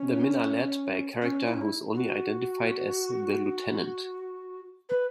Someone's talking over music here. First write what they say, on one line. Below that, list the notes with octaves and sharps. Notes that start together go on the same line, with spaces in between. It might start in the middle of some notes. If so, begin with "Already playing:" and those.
The men are led by a character who is only identified as "the Lieutenant".
Already playing: C#4
C#4
E4
C#4
E4
F#4
B4